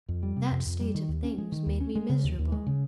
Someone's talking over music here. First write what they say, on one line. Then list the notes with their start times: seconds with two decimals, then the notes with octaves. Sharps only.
That state of things made me miserable.
0.09 F2
0.23 G3
0.37 C3
0.51 F2
0.66 F2
0.80 G3
0.95 D#3
1.09 D#2
1.24 C#4
1.38 G#3
1.52 D#3
1.66 D#2
1.80 C#4
1.95 G#3
2.09 C#3
2.24 D#2
2.39 D#2
2.52 G#3
2.67 C#3